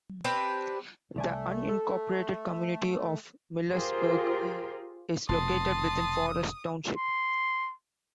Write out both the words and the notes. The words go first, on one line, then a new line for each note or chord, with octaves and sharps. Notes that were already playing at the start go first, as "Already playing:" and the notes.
The unincorporated community of Millersburg is located within Forest Township.
C4 D4 G4 B4
C2 A3 D5 G#5
A4
F4 G4 G#4 A#4 C5
F1 F2 B2 A5 C6 D#6
C6